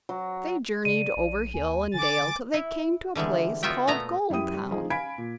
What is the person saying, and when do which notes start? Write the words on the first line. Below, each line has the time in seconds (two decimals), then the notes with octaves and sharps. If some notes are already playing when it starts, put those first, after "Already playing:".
They journeyed over hill and dale till they came to a place called Goldtown.
0.09 F#3
0.85 C#3 D5 D#7
1.16 A#1
1.54 D#2 G#5
1.94 D3 G#5 D6 A6
2.54 E4
3.15 D3 E3 G3 G#3
3.63 B3 F4 F#4 E5 G5
3.87 A#2 A3 B3 D#5 A#5
4.30 F#2 E4 G4 G5 D#6 D#7
4.54 G3
4.71 F3 D#4 G#4 D#5
4.90 F5 G#5 B5 G#6 B6 D7
5.18 A#2